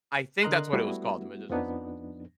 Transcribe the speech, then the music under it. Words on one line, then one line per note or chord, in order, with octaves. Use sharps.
I think that's what it was called, "The Magician's Apprentice." Yes,
D3 A#4 D#5 A#5 C6 F#6
G3 A3 B3 E4 F#4
F2 F3 B3 D4 D#4